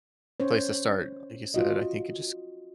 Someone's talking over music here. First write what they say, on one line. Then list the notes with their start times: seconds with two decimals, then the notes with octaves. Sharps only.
place to start. Like you said, I think you just
0.40 C#4 C5 C#5
1.54 F4 F#4 D#5